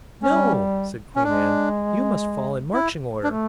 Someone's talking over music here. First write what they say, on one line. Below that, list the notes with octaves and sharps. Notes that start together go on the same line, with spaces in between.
"No," said Queen Ann, "you must fall in marching order."
G3 C#4
C#4
G#3 D4
E4
A3 D4